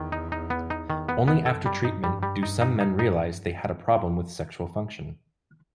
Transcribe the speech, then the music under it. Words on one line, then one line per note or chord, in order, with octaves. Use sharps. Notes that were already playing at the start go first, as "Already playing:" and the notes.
Only after treatment do some men realize they had a problem with sexual function.
Already playing: E2 D#3
D#4
D#4
B3
D#4
E2 D#3
B3
B3
F#2 A4
G3
G2
D#4
G2 G3
G3
D#4
D#4
D#4
D#4